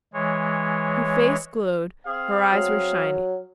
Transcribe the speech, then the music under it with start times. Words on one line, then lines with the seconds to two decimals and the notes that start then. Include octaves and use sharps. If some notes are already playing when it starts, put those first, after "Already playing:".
Her face glowed, her eyes were shining.
0.14 E3 G#3 C#5
2.06 C4 G#4 F5
2.53 F#3